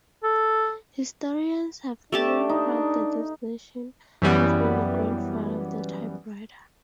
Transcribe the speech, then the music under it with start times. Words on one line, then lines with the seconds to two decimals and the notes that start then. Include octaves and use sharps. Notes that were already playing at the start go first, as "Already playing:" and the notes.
Historians have given Pratt the designation of being the "grandfather" of the typewriter.
0.23 A4
2.12 A3 D4 G4 A5
2.49 D#4
4.22 F#2 E3 G3 B3